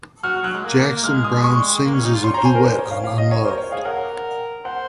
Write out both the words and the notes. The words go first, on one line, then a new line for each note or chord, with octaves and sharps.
Jackson Browne sings as a duet on "Unloved".
F#4 F6
F#3 F#6
G#3
A#3
A#3
G#3 F6
D#6
C#6
G#3
A#3
C#4
D#4
F4
C#5 C6
A#5
C5
G#5
A#4
C5
C#5
F5
F5
D#5
C#5
A#4 C5
C#5
G#4 F5
A#4 F#5
C5 F#5